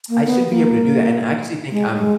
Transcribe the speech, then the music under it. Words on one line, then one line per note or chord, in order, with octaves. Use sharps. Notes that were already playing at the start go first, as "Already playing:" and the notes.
I should be able to do that, and I actually think, um,
A#3
B3
A#3
G#3
G#3